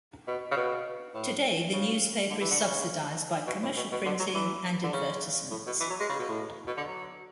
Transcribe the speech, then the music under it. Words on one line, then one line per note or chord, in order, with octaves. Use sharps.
Today, the newspaper is subsidized by commercial printing and advertisements.
B2
C#3
B2
A2
C#3
D3
E3
D3
C#3
B2
A2
B2
B2
D3
F#3
E3
D3
C#3
A2
B2
E3
F#3
G#3
C#3
B2
A2
B2
D3
F#3